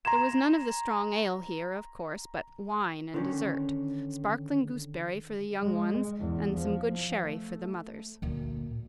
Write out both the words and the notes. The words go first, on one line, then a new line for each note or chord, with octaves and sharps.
There was none of the strong ale here, of course, but wine and dessert--sparkling gooseberry for the young ones, and some good sherry for the mothers.
A#5 C6 G#6 E7
D3 D#3 C#4
G#3
E2
F3
A3
D2 A#2